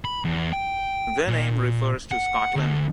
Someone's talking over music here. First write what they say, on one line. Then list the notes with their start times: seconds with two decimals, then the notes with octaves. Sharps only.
The name refers to Scotland.
0.05 B5
0.25 E2
0.53 G5
1.28 A#2
2.11 F#5
2.56 D2